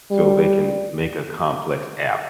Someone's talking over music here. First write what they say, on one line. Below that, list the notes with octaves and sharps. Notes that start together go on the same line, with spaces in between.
so they can make a complex app.
G3